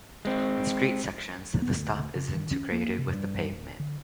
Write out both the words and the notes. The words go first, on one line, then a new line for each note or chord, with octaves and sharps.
In street sections, the stop is integrated with the pavement.
G#3 C4
B3
D2
C#3
D#3
C#4
A#3
C3
G2
D1
D3